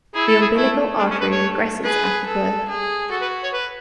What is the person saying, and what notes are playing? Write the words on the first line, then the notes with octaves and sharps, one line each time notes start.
The umbilical artery regresses after birth.
E4 G#4
A4
G#4
A3 E4
D4
C#4
B4
C#5
G#4 B4
A4
G#4
F#4 A4
B4
C#5
B4